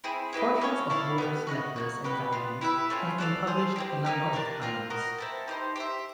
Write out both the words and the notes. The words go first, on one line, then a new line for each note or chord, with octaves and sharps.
Portions of Moore's letters and diary have been published a number of times.
C4 E4 G#4
E4 G4 B4 D#5
C#4 F#4 A4 C#5
E4 A4 D5 F5
B3 E4 G4
F#4 A#4 D#5 F#5
A#3 D4 F#4
G4 B4 D#5 F#5
B3 D4 F4
E4 G4 B4 E5
A3 C#4 F4
F#4 A4 D5 F5
G#4 C5 F5
C4 E4 G4
A#3 D#4 G4 A#4
D4 G4 A#4 D5
C4 F4 A#4
F#4 A#4 D#5
C4 E4 A4
D#4 G4 C5
G4 C5 E5